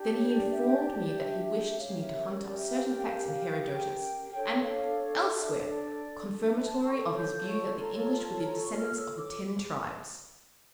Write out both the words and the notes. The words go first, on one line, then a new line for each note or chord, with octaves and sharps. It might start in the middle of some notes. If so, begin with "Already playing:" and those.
Then he informed me that he wished me to hunt up certain facts in Herodotus "and elsewhere" confirmatory of his view that the English were the descendants of the Ten Tribes.
Already playing: D4 G4
C#5
D5
E5
D5
D5
E5
C#4 G4 A#4 C#5 F5
E5
C#5
D5
E5
F5
G5
F5
F5
F5
G5
D4 A4 C#5 G5
F5
C#5
E5
D5
C#5
D5
E5
A5
F4 A4 C#5 C#6
G6
C#6
A#5
A5
A5
A#5
C#6
F6
E6
D6